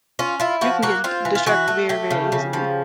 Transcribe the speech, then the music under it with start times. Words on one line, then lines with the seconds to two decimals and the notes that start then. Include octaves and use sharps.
you can get d distracted very, very easily.
0.19 C#4 F4
0.40 E4 F4
0.61 F3 F#4
0.83 A#3 F#4
1.04 C4 F4
1.25 E3
1.35 F4
1.46 E3 F#4
1.68 A3
1.89 A3 G4
2.11 C#3
2.32 C#3
2.53 F3